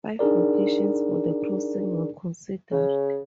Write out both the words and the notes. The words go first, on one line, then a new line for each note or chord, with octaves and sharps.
Five locations for the crossing were considered.
D4 D#4 G#4 A#4 D5
C#3